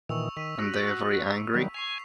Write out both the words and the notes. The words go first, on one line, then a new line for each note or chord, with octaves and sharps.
And they are very angry?
A#2 D#3 E3 C#6 E6 F7
D#3 C#6 B6 D#7
F#4
D#3 F#3 G3
G#5 C#6 C7 F7